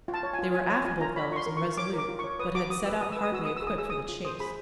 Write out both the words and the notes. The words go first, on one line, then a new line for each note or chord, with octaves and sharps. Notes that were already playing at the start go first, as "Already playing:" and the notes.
They were affable fellows and resolute, but had set out hardly equipped for the chase.
F4
A5
C#5
G#5
F4
F4 G#5
C#5 G#5
F4 G#5
F4 A#5
C#5 B5
F4 C6 C#6
A#4
C#6
F4
C#5 D6
A#4
D6
F4
C#5 C#6
B4 D#6
F#4 D6
F#4 D#6
B4 E6
B4 D#6
B4 E6
D#6
F#4 E6
B4 D#6
E6
G#4 D#6
G#4 E6
G#4 D#6
F4
C5 D#6
G#4 B5